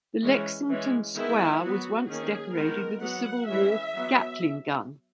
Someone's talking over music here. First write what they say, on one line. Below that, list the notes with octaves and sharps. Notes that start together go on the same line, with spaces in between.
The Lexington Square was once decorated with a Civil War Gatling gun.
E3 G#3 C#4
E3 G#3 C#4
D#3 G#3 B3 E4
F#3 B3 F#4
D#3 A#3 C#4 G#4
D#3 G#3 B3 A#4
F#3 B3 F#5
E3 G#3 C#4 E5
F#3 B3